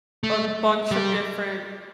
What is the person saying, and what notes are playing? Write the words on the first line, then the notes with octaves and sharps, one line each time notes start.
a bunch of different
A3
G3